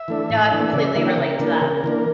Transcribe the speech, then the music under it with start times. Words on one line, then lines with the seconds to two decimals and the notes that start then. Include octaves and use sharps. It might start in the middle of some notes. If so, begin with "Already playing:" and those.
no, I completely relate to that.
Already playing: E5
0.08 E3 A3 D4
0.30 A2
0.52 E3 A3 D4
0.73 C#3 D5
0.85 E5
0.96 E3 A#3 D4 E5
1.07 G5
1.17 C#3 A#4
1.40 E3 A#3 D4
1.61 C#3
1.84 E3 A#3 D4